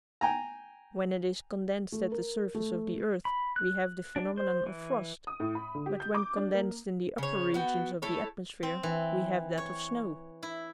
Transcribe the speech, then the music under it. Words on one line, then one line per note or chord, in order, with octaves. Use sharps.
When it is condensed at the surface of the earth we have the phenomenon of frost, but when condensed in the upper regions of the atmosphere we have that of snow.
G5 G#5 A#5
A3
A#4
A3
B5
F#6
D4
C5
E3
D#6
A2
B5
D3
G4
G6
D6
D4
A#3
C#3 C#5
B3 F#4 G5
A3 E4 A4 C#5
C4
E3
C#5
E4